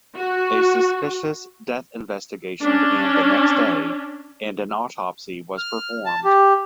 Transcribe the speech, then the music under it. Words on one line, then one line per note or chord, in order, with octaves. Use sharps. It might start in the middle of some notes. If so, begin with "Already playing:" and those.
A suspicious death investigation began the next day and an autopsy was performed.
F#4
C#4 D4
F6
A5
G4